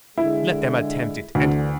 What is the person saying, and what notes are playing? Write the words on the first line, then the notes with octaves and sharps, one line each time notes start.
"Let them attempt it, and...."
D3 G#3 E4
D2 D3 E3